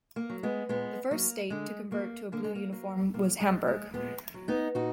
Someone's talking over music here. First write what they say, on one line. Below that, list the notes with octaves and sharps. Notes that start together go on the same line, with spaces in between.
The first state to convert to a blue uniform was Hamburg.
A#3
F#3
G#3 B3
A#2 G#3 B3
F#3 A#3
D3 G#3
F#3 A#3
D3 A#3
G#3
A#3
F#3 A#3
A#2 A#3
G#3
F#3
G#3
A#2 G#3 B3
F#3
B3 D#4
A#2 D#4 F#4